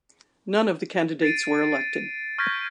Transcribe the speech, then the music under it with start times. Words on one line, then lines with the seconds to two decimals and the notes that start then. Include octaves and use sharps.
None of the candidates were elected.
1.22 A6 C7 D7 D#7
2.38 C#6 F6 G6 G#6 A#6 B6